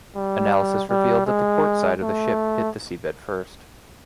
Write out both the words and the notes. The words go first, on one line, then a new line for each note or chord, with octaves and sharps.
Analysis revealed that the port side of the ship hit the seabed first.
G3
G3
G#3
A3